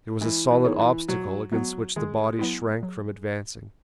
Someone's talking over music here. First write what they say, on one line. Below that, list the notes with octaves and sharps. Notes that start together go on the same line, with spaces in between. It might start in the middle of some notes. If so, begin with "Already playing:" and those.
It was a solid obstacle against which the body shrank from advancing.
E3 G#3
E3
B3 D#4 G#4 C#5
E3
B2 F#3
F#3 G#3 B3
D#3 G#3
F#3 B3 E4
F#3